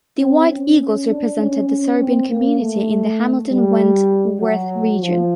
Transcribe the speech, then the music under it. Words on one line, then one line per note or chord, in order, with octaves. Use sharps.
The White Eagles represented the Serbian community in the Hamilton–Wentworth region.
C4
C#4
C#4
D4
C#4
C#4
C4
A#3
A3
G3
F#3
F3